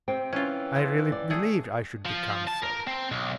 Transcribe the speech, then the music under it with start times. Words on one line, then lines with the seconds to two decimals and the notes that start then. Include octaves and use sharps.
I really believed I should become so.
0.08 C3 C4 G5
0.33 E3 C#4 F4
0.76 F3
1.12 D5
1.30 A3 G#4
2.05 F3
2.47 A5
2.63 A#4
2.87 C4
3.12 B1